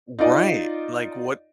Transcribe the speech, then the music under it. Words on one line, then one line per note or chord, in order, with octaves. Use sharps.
Right. Like, what
D#4 F4 D5 D#5